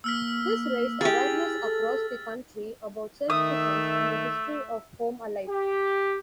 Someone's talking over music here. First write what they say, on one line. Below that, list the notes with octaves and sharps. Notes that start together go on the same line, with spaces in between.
This raised awareness across the country about self-defense and the history of Home Alive.
A#3 E6 F6 B6
E4 G4 G#4 A6
A4
D#3 A3 E5 D#6
G4